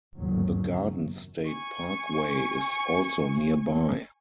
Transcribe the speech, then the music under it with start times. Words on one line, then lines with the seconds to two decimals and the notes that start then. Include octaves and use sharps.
The Garden State Parkway is also nearby.
0.17 G1 D#2 G#2 C#3 F#3
0.66 F#2
1.46 G#5 C#6